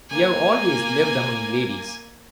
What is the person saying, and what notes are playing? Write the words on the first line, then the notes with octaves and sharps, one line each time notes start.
You have always lived among ladies.
A#3 G#5